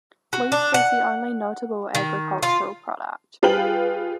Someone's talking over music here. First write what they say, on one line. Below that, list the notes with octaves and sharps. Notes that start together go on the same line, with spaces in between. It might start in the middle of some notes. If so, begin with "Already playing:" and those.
Wheat is the only notable agricultural product.
F#4
D4
F#5
D#3
F4
G3 F4 G#4 B4 G5 F#7